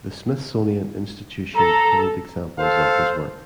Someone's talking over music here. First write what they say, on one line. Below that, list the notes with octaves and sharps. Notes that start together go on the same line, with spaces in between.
The Smithsonian Institution hold examples of his work.
A4 A#5
A4 C5 F5